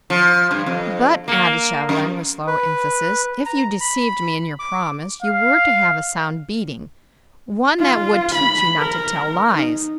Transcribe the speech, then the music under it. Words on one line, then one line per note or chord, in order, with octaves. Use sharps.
"But," added Chauvelin, with slow emphasis, "if you deceived me in your promise, you were to have a sound beating, one that would teach you not to tell lies."
F3
G2
F2
A#3
F#2
B4
A#5
B5
D6
F5
F4
B5
A#4
D#4